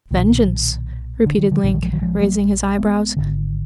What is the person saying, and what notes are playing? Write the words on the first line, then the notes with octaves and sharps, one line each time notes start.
"Vengeance!" repeated Link, raising his eyebrows.
B1 A#2 D#3
D3
D#3
D3 F3
A#1 A#2 D3 F3
D#3 F#3
F3 G#3
D#3 F#3
F3 G#3
F#3 A#3
G#3 B3
G#1 F#2 D3